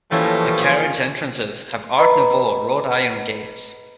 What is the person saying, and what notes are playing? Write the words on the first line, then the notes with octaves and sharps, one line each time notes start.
The carriage entrances have Art Nouveau wrought-iron gates.
A2 E3 F3 G3 A3 A#3 C#4
F4 G#4 C#5
B4 D#5 A#5 B5